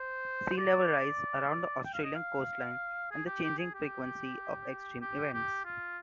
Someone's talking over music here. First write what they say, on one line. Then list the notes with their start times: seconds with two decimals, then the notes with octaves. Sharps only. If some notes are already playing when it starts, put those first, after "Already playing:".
Sea-level rise around the Australian coastline and the changing frequency of extreme events.
Already playing: C5
0.58 D5
1.85 G5
1.94 F5
2.04 D#5
2.15 F5
3.11 G#4
3.26 G4
3.43 G4
3.59 G#4
3.74 G4
5.01 G4
5.33 G4
5.65 F4